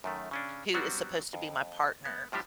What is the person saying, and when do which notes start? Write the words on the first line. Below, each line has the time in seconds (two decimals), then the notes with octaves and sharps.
who is supposed to be my partner
0.04 F#2 D#3 A3
0.31 C#3 C#4 D4
0.74 F#3 G3 B3 C4 D4 F#4
1.33 F2
2.05 B3
2.32 A2 F3 G3 D4 G4